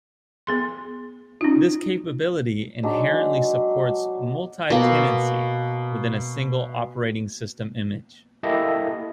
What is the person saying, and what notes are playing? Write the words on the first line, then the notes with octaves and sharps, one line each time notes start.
This capability inherently supports multi-tenancy within a single operating system image.
B3 G#4 C6
C#4 D#4 F4
F#3 G#3 D4 D#4
B2 A#3
A#3 E4 G4 A4 D#5 E5